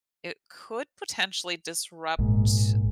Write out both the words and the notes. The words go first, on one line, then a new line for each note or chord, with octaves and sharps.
it could potentially disrupt
A#1 G#2